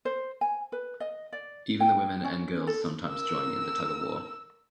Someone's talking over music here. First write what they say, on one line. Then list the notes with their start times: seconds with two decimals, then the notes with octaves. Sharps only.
Even the women and girls sometimes join in the tug of war.
0.05 C5
0.41 G#5
0.72 B4
1.00 D#5
1.33 D5
1.80 G5
2.24 C#4
2.67 A4
3.08 A#4 E6